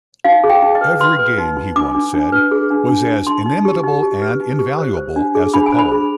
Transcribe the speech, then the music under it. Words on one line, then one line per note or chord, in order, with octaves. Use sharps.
Every game, he once said, was as inimitable and invaluable as a poem.
D#4 F5
G#4
G5
D#4
D#5
B4
B4 C6
B4
D#4
D#4
D4 D6
D4
D4
B4
G#4
D4
D4
D4
D#4 C6
D#4
G4
D#4
G4
B4
D#4
G4
C5
C5
D4
G#4
D4 B5
G#5
C5
B5
G#4